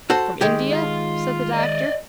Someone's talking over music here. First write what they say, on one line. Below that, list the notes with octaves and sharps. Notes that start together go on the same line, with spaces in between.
'From India?' said the Doctor.
F#4 A4 C5
D#3 G#3 G4
F4
D5 D#5